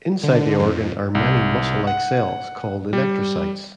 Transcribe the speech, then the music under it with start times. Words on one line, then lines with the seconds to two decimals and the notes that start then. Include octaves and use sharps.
Inside the organ are many muscle-like cells, called electrocytes.
0.24 D3
0.59 F2
1.15 C2
1.87 F#5
2.93 G3